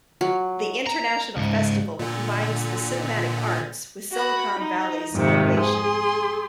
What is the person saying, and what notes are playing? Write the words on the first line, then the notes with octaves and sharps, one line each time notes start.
The international festival combines the cinematic arts with Silicon Valley's innovation.
F#3
A#5
C#2 G#2
A#2 D3
F#4 B5
D#4
F2 G#2 C3 D#3
G#4 C6